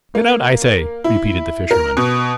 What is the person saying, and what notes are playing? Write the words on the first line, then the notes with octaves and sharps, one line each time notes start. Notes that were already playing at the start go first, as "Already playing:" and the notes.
"Get out, I say!" repeated the Fisherman.
A#3
E4
A#4
B2